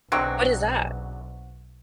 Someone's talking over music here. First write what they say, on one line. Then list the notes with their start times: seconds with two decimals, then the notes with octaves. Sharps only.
What is that?
0.12 B1 E2 D3 F#3 C4 D#4 F#4